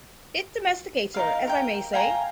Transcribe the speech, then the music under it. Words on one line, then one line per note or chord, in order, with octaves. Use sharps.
It domesticates her, as I may say.
D#4 A#4 F5
A#4 G5
F5 G5 G#5 A#5